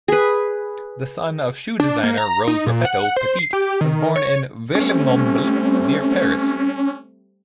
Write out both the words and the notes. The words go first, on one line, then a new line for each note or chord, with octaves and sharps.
The son of shoe designer Rose Repetto, Petit was born in Villemomble, near Paris.
G#4 B4
D4
A#3
A#5
D#4
A#2
F#5
C5
C7
G4
D#3
C#5
G3 A3 C4 C#4